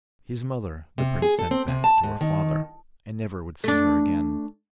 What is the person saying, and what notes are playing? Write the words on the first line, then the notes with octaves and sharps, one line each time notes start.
His mother the prince sent back to her father, and never would see her again.
C3
G#4
A4
C4
C3
A5
G#2
D#3
A3 D4